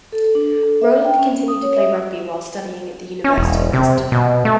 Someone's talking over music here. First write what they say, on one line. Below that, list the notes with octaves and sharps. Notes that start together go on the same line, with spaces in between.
Rowland continued to play rugby while studying at the University of Exeter.
A4
D4
A4
E5
G5
C#4
C#4
D#6
C#5
E5
C#4
E1
C3
B2
A3